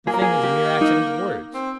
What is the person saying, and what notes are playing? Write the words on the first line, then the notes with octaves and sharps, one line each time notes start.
The thing is a mere accident of words.
A#3 G#4
A#4
G#4
G4
D#4
C4